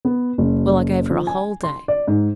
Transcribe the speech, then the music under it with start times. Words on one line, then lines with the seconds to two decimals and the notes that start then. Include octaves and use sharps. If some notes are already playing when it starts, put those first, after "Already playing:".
Well, I gave her a whole day.
0.05 B3
0.38 F#1
1.11 F3
1.27 G#5
1.63 C6
1.88 D5
2.08 G#2